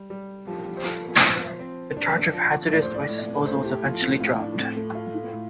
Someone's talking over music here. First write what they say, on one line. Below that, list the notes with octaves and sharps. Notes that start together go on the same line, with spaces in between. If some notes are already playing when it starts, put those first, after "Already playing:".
The charge of hazardous waste disposal was eventually dropped.
Already playing: G3
G3
F3 G4
C5
F3 A4
F3 C5
C4
D4
F3
A2 D5
C5
D5
A2
A3 C5
G4
F3 F4
C4
A2 F4
D4
A2 C4
A3
F4
A2